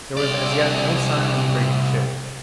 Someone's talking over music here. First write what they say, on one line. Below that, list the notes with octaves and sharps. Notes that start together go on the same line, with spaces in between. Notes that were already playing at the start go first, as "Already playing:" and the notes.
There was as yet no sign of the brigand ship.
C2 D5